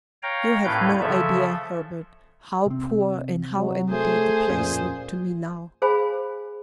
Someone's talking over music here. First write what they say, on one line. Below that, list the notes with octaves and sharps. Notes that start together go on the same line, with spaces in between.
You have no idea, Herbert, how poor and how empty the place looked to me now.
C#5 F5 G5 A#5
D#2 A2 C#4 B4 F5 G6
C#3 F3 A4 E5
C3 C4
F#3
A3 G#4 C5
D1 F2 A#2 C#4
G#4 C5 F5 G#5 B5